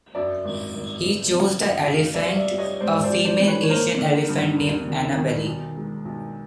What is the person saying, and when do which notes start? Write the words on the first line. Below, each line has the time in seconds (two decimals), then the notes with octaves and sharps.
He chose the elephant, a female Asian elephant named Annabelle.
0.15 F#2 D5 E5
0.45 G#1
0.73 G#1
1.03 G1
1.34 C#3
1.63 F#2
1.92 F1 D#5 F5
2.14 D5 E5
2.22 G3 F5
2.36 D5 E5
2.51 G3
2.58 C#5 D#5
2.80 G#2 C5 D5
3.03 C5 D5
3.10 G3
3.25 C5 D5
3.40 E3
3.47 B4 C#5
3.63 C#5
3.69 A#3 A#4 C5
3.99 D3
4.29 G2
4.58 D#2
4.88 D#3
5.17 D#3
5.46 B1
5.77 G#3
6.05 B1